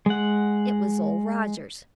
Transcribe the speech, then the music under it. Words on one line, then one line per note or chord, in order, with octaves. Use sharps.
It was Old Rogers.
G#3 F#5